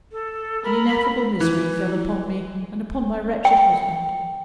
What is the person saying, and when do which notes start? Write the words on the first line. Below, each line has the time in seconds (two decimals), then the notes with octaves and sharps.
An ineffable misery fell upon me and upon my wretched husband.
0.12 A4
0.64 A#4 B5
1.40 E3
3.45 G5